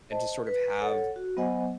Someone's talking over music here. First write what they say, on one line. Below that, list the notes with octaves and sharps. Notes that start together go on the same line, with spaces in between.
and to sort of have
C5 D#5 A5
B4
A4 C#5 F#5
F#4
F#3 B3 C5 D#5 F#5 G#5